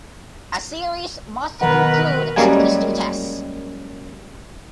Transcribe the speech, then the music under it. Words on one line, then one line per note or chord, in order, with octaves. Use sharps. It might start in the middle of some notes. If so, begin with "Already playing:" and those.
A series must include at least two Tests.
B2 D#3 A#4 B4 F#5
F#2 G3 G#3 A#3 G#5